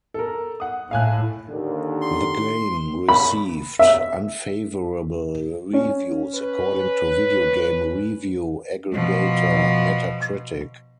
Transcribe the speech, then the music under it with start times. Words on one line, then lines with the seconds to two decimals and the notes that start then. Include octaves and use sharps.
The game received "unfavorable" reviews according to video game review aggregator Metacritic.
0.14 A4 A#4
0.60 F#5 D#6
0.91 A2 F5 G#5 F#6
1.49 D#2 D3
2.01 C6
3.09 B5
3.79 E5
5.73 C#4
6.35 B4
8.92 B2 F3